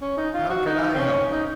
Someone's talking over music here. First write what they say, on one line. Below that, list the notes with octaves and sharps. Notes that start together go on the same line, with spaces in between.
How could I help it?
C#4
D#4
F4
F#4
D#4
C4
C#4
D#4